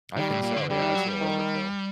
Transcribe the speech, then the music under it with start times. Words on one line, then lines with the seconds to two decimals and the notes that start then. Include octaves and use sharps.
I think so, yeah, it's a little overkill.
0.17 D#3 G3
0.29 A2
0.42 A#2
0.56 D3
0.69 D3 G3
0.82 D#3
0.95 F#3
1.08 G3
1.21 D#3